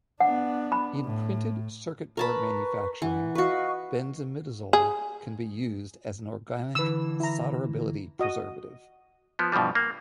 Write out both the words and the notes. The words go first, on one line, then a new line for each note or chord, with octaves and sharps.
In printed circuit board manufacturing, benzimidazole can be used as a organic solderability preservative.
B3 D4 F#5
B5
A2
A#4 B4 A5 B5 C#6
E3 F#5
F#4 B4 D#5 F5 C#6
G#4
D3 E3 B4 E6
E4 A#5
F#4 D#5 D#6
F3 B3
G2 B2 E3 F3 G3
A#3